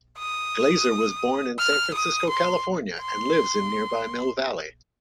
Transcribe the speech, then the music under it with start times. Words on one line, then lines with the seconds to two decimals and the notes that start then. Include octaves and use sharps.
Glaser was born in San Francisco, California and lives in nearby Mill Valley.
0.18 D#6
1.59 F6
1.94 D#6
2.29 C6
3.00 C6